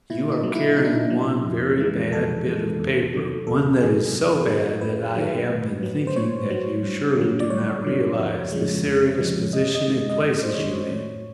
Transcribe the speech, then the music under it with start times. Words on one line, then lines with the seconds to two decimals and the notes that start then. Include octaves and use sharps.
You are carrying one very bad bit of paper--one that is so bad that I have been thinking that you surely do not realise the serious position it places you in.
0.10 A#2 E4
0.32 D#4
0.43 F#3
0.55 E4
0.77 A#2 D#4
0.85 D4
0.93 D#4
1.10 F#3
1.45 F2
1.78 C3 E3 G#3
2.12 F2 A4
2.46 C3 E3 G#3
2.79 E2
3.13 C3 D#3 F#3
3.47 E2 A4
3.80 C3 D#3 F#3 G#4
4.14 F#2
4.48 D#3 F#3
4.81 F#2 B4
5.15 D#3 F#3
5.49 A2
5.83 F#3
6.07 C5
6.16 A2 C#5
6.50 F#3
6.83 G2
7.17 D3 F#3
7.40 D5
7.50 G2 C#5
7.84 D3 F#3
8.18 F2
8.52 C#3 F3 G#3
8.85 F2
9.19 C#3 F3 G#3
9.53 F#2 D#5
9.75 D#5
9.86 D#3 G#3
9.98 D#5
10.09 D#5
10.20 F#2 D5
10.43 C5
10.54 D#3 G#3 C#5
10.88 A2